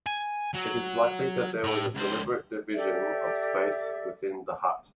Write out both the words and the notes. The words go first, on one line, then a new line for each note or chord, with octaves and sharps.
It is likely that there was a deliberate division of space within the hut.
G#5
F#3
A2
C#2 C5
G4 A4 D5 E5